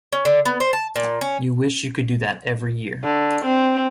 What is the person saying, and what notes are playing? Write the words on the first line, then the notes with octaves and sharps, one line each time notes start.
You wish you could do that every year.
C#4
D3
B3
C5
A5
A#2
C#4
D3
C4